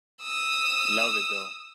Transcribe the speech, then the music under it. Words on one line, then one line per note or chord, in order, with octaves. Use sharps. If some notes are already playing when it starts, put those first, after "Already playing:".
Love it, though.
D#6 E6